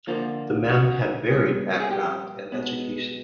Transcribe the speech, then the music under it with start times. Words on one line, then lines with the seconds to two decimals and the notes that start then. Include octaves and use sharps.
The men had varied background and education.
0.07 D3 F3 A#3 F4
0.69 F#4
1.30 A#2 G3 B3
1.80 G#4
1.91 G4
2.52 B2 G#3 B3